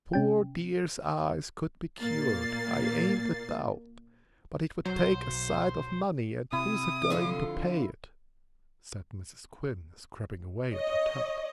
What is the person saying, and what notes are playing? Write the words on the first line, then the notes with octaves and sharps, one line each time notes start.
'The poor dear's eyes could be cured, I ain't a doubt; but it would take a sight of money, and who's agoing to pay it?' said Mrs. Quinn, scrubbing away at her tub.
C3 C#4 G5
A#2 A#3 A6 C7
B1 F#3 C5
C3 E4 D#6
F2 D3 F4
C#5 D#5